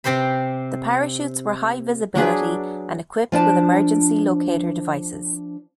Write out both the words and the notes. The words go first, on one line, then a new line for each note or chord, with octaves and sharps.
The parachutes were high-visibility and equipped with emergency locater devices.
C3 C4 G4 C5 B5
F#3 D4 G#4 B4
F3 D4 D5 A5